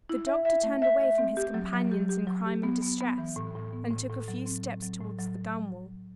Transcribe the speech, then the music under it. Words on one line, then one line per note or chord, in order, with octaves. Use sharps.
The doctor turned away from his companions in crime and distress, and took a few steps towards the gunwale.
E4
E5
E5
A3
E5
E5
C4
G4
F#3
F#3
G4
G4
F#3
G4
B3
B3
B3
E3
A2
A2
B3
A2
A2
F#3
C4
A2
F#3
A2
F#3